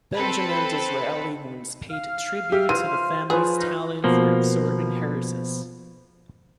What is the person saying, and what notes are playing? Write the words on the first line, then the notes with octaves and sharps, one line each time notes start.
Benjamin Disraeli once paid tribute to the family's "talent for absorbing heiresses".
C4 A4 B4
F5 F6
G4 E5
E3 F4 C5 D#7
F3 G#4 B4 C#5
C#4 D#4
B2 F3 A#3